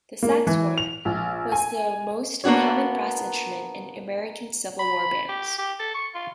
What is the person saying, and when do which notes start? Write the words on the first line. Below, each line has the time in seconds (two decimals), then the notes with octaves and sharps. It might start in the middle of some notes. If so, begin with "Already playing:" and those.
The saxhorn was the most common brass instrument in American Civil War bands.
0.23 A#3
0.47 E3
0.78 F7
1.05 A#1
1.52 G#5
2.44 A#3 B3 D4 F#4 C#5
4.79 B5
5.29 G4
5.58 G4
5.80 A4
5.94 C#6
6.15 F4